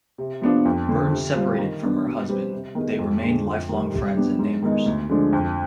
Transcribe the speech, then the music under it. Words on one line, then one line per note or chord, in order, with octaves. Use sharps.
Burn separated from her husband, but they remained lifelong friends and neighbors.
C3
F3 B3 D4 F4
F2
D3 F3
C3
G3 C4 F4
D#3
B3 D4
B2
G3 C4 G4 B4
C3
D#3 B3 D#4 G#4
F2
D3 G#3
F2
D#3 G3
C3
G3 B3 D4 G4
G#2
D#3 G#3 B3 D#4
D2
D3 F3 G#3 D4
F2